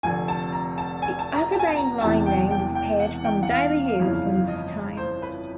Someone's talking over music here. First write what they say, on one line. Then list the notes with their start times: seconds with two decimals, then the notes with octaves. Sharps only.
The Akabane Line name disappeared from daily use from this time.
0.03 F1 F2 D3 G#5
0.28 A5
0.52 A#5
0.78 A5
1.02 G#5
1.19 A5
1.35 A#5
1.52 A5
1.59 G#5
1.67 A5
1.76 A#5
2.01 E1 E2 C3 E3 A5
2.26 G5
2.51 G5
2.75 G5
3.00 F#5
3.24 G5
3.43 F#5
3.50 F5
3.99 G1 F2 C#3 E3
4.48 D#5
4.97 C5
5.22 B4